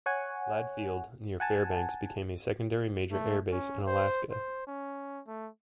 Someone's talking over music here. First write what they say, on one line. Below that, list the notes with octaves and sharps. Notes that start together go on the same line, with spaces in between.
Ladd Field near Fairbanks became a secondary major air base in Alaska.
C#5 F#5 G#5
F#5 G#5 A5
A3
C#4
C5
C5
C#4
A3